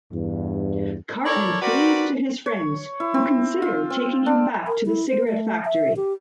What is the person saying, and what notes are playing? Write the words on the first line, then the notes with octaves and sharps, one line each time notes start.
Cartman flees to his friends, who consider taking him back to the cigarette factory.
E2 G2
E4 A4 A#4 C#5 D5
C4 F#4 A#4 B4 D5
C#5
E4
C4
F4
C4
D4
A#4
E4
C5
A3
E5
G4